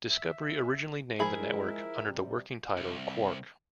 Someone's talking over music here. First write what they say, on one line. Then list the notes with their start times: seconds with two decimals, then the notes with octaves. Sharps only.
Discovery originally named the network under the working title Quark!
0.10 E5
1.19 F3 G#3 E4 G#4 A#4 E5 B5
2.05 C3 G3
2.78 C2